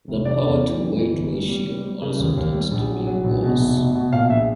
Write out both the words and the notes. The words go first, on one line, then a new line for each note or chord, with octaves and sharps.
The power to weight ratio also tends to be worse.
F1
F1 D5
E2
E3
F2
E3
G1
G3
G3
G3
G3
C#3
D#2
D#2
G3
A#1
F#3
F#3
A#1
B2
F1
B2
B2
A#2 F5
A#1 E5